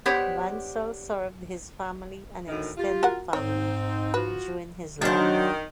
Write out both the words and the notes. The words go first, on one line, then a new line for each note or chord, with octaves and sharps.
Bansal served his family and extended family during his life.
B3 D4 G4 C5 C#5
D2 A2 D#3
F4 G4
F#4 A#4 F#5
G#2 C4 D#4 C#5
F3 F#4 B4
D#3 F#3 D4 C5